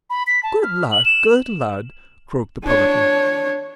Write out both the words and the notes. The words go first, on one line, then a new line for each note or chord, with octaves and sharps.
"Good lad! good lad!" croaked the publican.
B5
B6
A5
F6
F#7
E7
D4 C#5